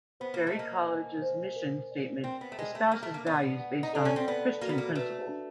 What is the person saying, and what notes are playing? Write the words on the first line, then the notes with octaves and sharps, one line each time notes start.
Berry College's mission statement espouses values based on Christian principles.
B3 C5
A#3
A3
A#3 D#5
G#5
C5
A#4
D5
C4 G5
B3
A3
G#3 A#4
A3
A#3 A#5
A3
A#3
B3 D5
F#5
D#4
D4 A4
C#4
C4
B3 D5
A#3 F#4
B3
A#3
A3 B4
D4